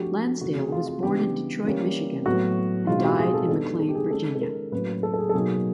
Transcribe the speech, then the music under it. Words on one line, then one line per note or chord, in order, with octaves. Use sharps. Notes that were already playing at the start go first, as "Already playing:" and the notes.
Lansdale was born in Detroit, Michigan and died in McLean, Virginia.
Already playing: F3 A3 D4 F#4 G4
C3 E3 A3 F#4
G#4
F4
F4
C#3 E3 G3 B3 D4 G4
E3 G3 A#3 C#4
A2 F#3 B3 F#4
B2 G#3 C4 D#4 F4
F#4
G4
G#4
A4
D#3 G3 B3 D4 A4
A4
G4
G#4
D#3 G#3 C#4 A4
A4
A#4
A2 F#3 A#3 C#4 B4
A4
A4
G#4
A4
B2 F#3 A#3 D#4 G#4